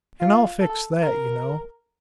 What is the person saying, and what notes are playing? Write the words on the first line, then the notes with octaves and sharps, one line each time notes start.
And I'll fix that, you know.
F4
A4
A#4